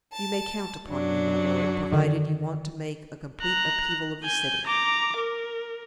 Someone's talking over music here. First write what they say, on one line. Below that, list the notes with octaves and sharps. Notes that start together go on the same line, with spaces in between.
"You may count upon me, my lord, provided you want to make a complete upheaval of the city."
A5
F#2 F#3 D4
D3 D#3
A#5 F#6
G#5 G6
A#5 D6
A#4